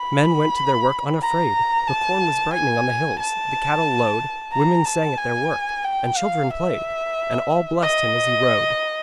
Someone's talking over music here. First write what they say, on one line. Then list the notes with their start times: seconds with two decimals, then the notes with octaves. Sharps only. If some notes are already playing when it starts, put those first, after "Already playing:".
Men went to their work unafraid, the corn was brightening on the hills, the cattle lowed, women sang at their work, and children played. And all blessed him as he rode.
Already playing: B5
1.22 A#5
1.88 A5
2.54 G#5
3.20 A5
4.53 A#5
4.85 A5
5.18 G#5
5.84 G5
6.17 F5
6.51 E5
7.82 D#5